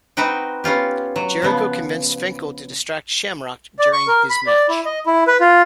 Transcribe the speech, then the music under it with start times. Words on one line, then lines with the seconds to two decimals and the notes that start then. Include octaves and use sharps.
Jericho convinced Finkel to distract Shamrock during his match.
0.17 C4 D#4 F#4 B4 F#5 G5
0.64 B3 C#4 F4 G4
1.16 F#3
1.42 C#3 F3 B3
3.79 D5
3.93 C#6
4.08 A#4
4.30 B5
4.47 D5
4.69 E4
4.86 D#5
5.06 E4
5.27 B4
5.40 F4